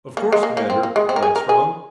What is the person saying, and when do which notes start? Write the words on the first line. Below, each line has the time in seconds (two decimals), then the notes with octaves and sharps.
"Of course, Commander," replied Strong.
0.17 A#3
0.32 G#3
0.43 A#3
0.57 A#3
0.70 C4
0.83 A#3
0.96 G#3
1.09 C4
1.16 A#4
1.23 G#4
1.36 A#4
1.49 G#4